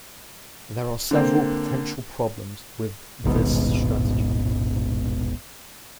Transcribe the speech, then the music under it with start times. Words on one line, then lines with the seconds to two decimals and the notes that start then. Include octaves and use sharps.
There are several potential problems with this strategy.
1.11 D3 A#3 C4
3.24 D#1 G#1 G#2 B2